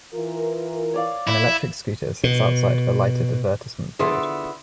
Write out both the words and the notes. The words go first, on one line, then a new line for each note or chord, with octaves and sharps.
An electric scooter sits outside of a lighted advertisement board.
E3 F4 A#4
C#5 D5 F5
E4
B2
D3 B3 E4 F4 G#4